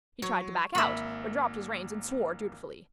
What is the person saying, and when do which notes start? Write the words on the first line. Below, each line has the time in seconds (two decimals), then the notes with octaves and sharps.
He tried to back out, but dropped his reins and swore dutifully.
0.22 F#3 C#5
0.75 G#1 A#3 E5 B5